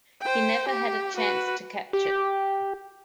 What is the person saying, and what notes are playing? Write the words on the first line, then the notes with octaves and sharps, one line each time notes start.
He never had a chance to catch it.
C5 G5
G4
F#4 B4
G4